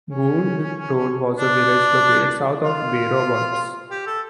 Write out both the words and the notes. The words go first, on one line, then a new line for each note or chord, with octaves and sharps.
Goulds Road was a village located south of Bay Roberts.
C#4
D4
F4
G4
A4